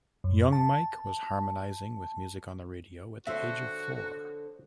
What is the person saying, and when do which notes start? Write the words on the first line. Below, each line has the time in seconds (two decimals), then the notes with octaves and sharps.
Young Mike was harmonizing with music on the radio at the age of four.
0.24 F#2
0.53 A5
3.27 D3 F3 C4 F#4 A4 C5 C#5 E5